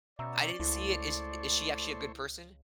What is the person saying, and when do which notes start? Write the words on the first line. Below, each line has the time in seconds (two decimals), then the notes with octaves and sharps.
I didn't see it. Is is she actually a good person?
0.19 B2 C#4 D5 E5 A#5 E6
0.60 C#2 A3 E4 C5 C#5